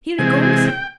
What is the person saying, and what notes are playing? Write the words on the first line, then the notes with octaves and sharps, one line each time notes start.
Here he comes.
C3 E3 G#3 C4 G#5
G#5
G5